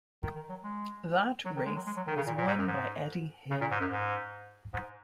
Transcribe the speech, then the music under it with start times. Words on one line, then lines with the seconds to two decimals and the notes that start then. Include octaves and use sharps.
That race was won by Eddie Hill.
0.23 D#3
0.36 D#3
0.49 F#3
0.64 G#3
1.45 F#3
1.56 D#3
1.66 G#3
1.75 F#3
1.86 G#3
1.97 F#3
2.07 D#3
2.17 C#3
2.27 A#2
2.38 A#2
2.47 G#2
2.58 F#2
2.68 G#2
3.50 C#3
3.61 A#2
3.71 G#2
3.80 F#2
3.91 G#2
4.73 G#2